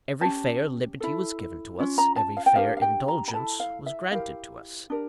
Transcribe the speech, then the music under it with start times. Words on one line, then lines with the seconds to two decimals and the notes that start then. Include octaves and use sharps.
Every fair liberty was given to us; every fair indulgence was granted to us.
0.21 C#4 G4 A#4 A5
1.00 E4 A4
1.79 C#4 F4
1.98 A#5
2.16 A5
2.37 F5
2.46 G5
2.56 D4 G4 A#4 F5
2.77 F5
2.82 G5
3.08 A#5
3.28 A#5
3.33 E4 A4 A5
3.60 F5
3.86 E5
4.11 E4 G4 A#4 F5
4.90 D4 G4 A#4